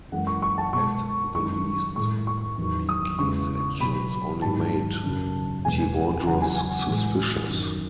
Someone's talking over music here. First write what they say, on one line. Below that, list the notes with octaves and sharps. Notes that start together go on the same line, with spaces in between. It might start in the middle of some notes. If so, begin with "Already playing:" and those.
At the least Beke's actions only made Tewodros suspicious.
F#2 E3 G#3 F#5
C#6
C#6
A5
B2 G#3 C#6
F#2 D#3 G#3 C#6
A2 G#3 C#6
C#6
E2 D#3 F#3
D#6
E2 C#3 E3 G#3 C#6
B2 F#3 B5
G#2 D#3 F#3 A5
F#2 C#3 F#3
E2 B2 G#3 G#5
E2 C#3 F#3 F#5
G#5
G#5
A2 E3 G#3
F#2 D#3 F#3